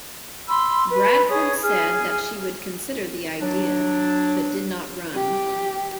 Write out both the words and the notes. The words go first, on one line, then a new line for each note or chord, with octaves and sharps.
Bradford said that she would consider the idea but did not run.
B5 C6 E6
B4 B5
G#4 C#5 D#6
G#4 F6
F#3 D4
G4